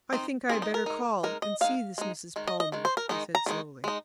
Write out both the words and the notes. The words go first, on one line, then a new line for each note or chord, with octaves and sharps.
"I think I had better call and see this Mrs. Palmer," he said slowly.
D#3 C4 D#4
D#3 C4 D#4 G#4
D#4
A#4
G#3 D#4
G#3 D#4 A#4
D#5
G#3 D#4 F5
G#3 D#4
D#3 G#3
D#5
D#5
D#3 G#3
C5
A#4
D#3 G#3 D#4
A#5
D#3 G#3 D#4
G#3 D#4